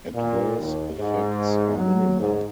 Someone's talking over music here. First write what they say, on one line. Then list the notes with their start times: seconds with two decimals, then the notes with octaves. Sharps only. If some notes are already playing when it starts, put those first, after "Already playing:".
Adverse effects are minimal.
0.15 A#2
0.59 D#2
0.98 G#2
1.76 F#3
2.20 G#2